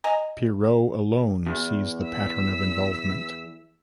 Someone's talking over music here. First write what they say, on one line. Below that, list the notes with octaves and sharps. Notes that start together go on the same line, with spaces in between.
Poirot alone sees the pattern of involvement.
D#5 G#5 A#5
E2
E6 B6